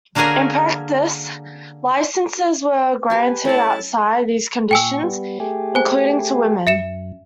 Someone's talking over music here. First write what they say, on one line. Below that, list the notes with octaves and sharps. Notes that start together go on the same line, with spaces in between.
In practice licences were granted outside these conditions, including to women.
D3 A#3 C#4 F#4 G#4 A#4
G4 B4 G#5 A5
A3 C#4 E4 C#5 A5
A#2 G5 G#5 C#6 E6
G3 B3
A3 G4 G#4
C5 G#5
F#2 E5 C#7 E7